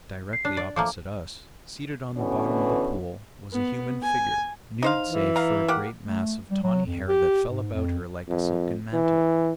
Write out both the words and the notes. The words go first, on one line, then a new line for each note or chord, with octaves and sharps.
Directly opposite us, seated on the bottom of the pool, was a human figure, nude save for a great mass of tawny hair that fell about her like a silken mantle.
C7
D4
D5
F3 A3 A#3 D6
B2 D3 E3 B3 C#4
B3
G#5
D#4 C5 F5
E3
F5 A#5
A#3 G4 F#5
A3
G3
F#3
F2
G4
G#2
F2
F2
E3